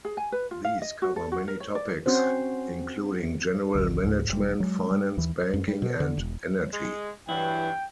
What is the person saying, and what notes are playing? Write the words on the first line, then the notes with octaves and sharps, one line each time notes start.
These cover many topics including general management, finance, banking and energy.
G#4
G#5
B4
F4
F5
D#5
F#4
A4
F#4
A#4
C#5
D5
C4 C#4 F#4 C5
G#1 D2
C#2 G#2
E1 G3
F#3 G#3
G3
D#2 E3
F#2
G3
B2
D3
E1
G#3
G2 E3 F#3 E4 G5